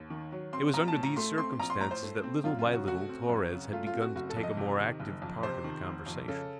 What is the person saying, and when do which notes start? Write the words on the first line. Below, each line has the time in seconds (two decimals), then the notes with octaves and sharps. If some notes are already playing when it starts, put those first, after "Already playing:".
It was under these circumstances that little by little Torres had begun to take a more active part in the conversation.
Already playing: D#2
0.10 D#3
0.32 F#3
0.53 C4 C6
0.74 A#1 A#5
0.88 A5
0.96 A2
1.03 A#5
1.16 A3 C6
1.38 C4 C6
1.60 A#1 A#5
1.70 C6
1.81 A2 A#5
1.91 C5
2.03 A3
2.23 C4
2.44 F#2 F4
2.59 F4
2.66 C#3
2.73 F#4
2.87 A3 F#4
3.09 C4
3.29 F#2
3.52 C#3
3.73 A3 F4
3.86 F4
3.93 C4
4.01 F#4
4.16 F#1 F#4
4.30 A4
4.37 F2
4.43 D#5
4.57 C3
4.79 D#3
5.00 F#1
5.22 F2
5.43 C3 C5
5.64 D#3
5.85 F1
6.06 F2
6.28 C#3 A4